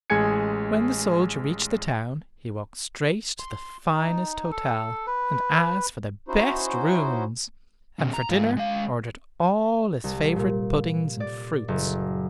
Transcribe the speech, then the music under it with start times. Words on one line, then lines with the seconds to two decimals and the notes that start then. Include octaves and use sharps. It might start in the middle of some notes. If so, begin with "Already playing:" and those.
When the soldier reached the town he walked straight to the finest hotel, and asked for the best rooms, and for dinner ordered all his favorite puddings and fruits.
0.10 A1 G#3 G#4 G#5 G#6 C#7
3.39 C6
3.90 D#4
4.51 A4
5.07 B4
6.28 C#4 D#4 E4 F#4 C5
7.99 B2 C#4
8.14 A#5
8.29 G#2 F4
8.57 G#3 F5
10.04 C2
10.36 A#2
11.20 D5
11.68 F#1